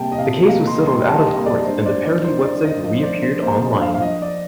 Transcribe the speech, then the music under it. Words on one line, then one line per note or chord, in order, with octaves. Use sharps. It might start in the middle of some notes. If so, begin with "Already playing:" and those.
The case was settled out-of-court and the parody web site re-appeared online.
Already playing: C3 G3 A#3 G5 A5
D#5
C3 F5
A#3 F5
C6
G3
C6
G3 A5
D#5
A#3
D5
G2 C5
C5
D5
G2
D5
G2 C5
D5
G2
D#5
F3 D#5
C5
D5
G2
C5
A#3 C5
D#5
G2
F5
F5
F3 D#5
D5